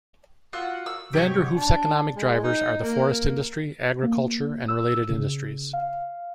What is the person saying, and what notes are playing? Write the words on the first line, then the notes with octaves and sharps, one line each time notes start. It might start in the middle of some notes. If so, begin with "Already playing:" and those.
Vanderhoof's economic drivers are the forest industry, agriculture, and related industries.
F4 F#4 F#5 E6 F#6
E6
G#2 C3 F#3 G4 C#5
D4
G#3
D#4
A#3
A#3
E6
C#3
F5